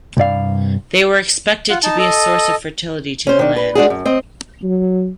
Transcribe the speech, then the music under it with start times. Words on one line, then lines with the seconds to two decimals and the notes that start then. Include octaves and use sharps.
They were expected to be a source of fertility to the land.
0.17 C2 G2 D5 F5
1.70 F4 F#5
1.83 D#4 A5
1.99 A4 D#5
3.27 C#4 C5
3.39 D#3 D4
3.56 B4
3.75 G#3 D4 F#4 G#4
3.90 F#2
4.05 C4 D#5
4.63 F#3